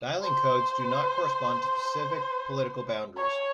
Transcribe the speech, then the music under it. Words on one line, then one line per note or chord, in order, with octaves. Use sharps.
Dialling codes do not correspond to specific political boundaries.
C5
C#5